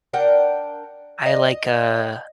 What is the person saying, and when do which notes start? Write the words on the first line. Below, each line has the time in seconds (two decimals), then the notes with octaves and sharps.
I like, uh,
0.13 D4 A#4 F#5 G5
1.26 D#5